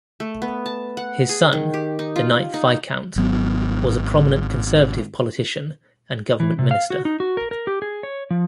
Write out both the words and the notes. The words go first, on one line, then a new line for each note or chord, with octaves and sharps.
His son, the ninth Viscount, was a prominent Conservative politician and government minister.
A3
B3
A5
F#5
G#4
D#3
G4
D#4
F4
D#4
G#1 F#3 B3
E3
C3
F5
F#4
D#4
F#4
A#4
A#4
G4
G#4
C#5
F3